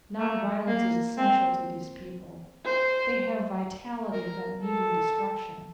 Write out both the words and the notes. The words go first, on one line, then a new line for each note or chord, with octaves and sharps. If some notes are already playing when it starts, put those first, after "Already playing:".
Nonviolence is essential to these people--they have vitality without needing destruction.
A3
A#3
C4
C5
A#4
A4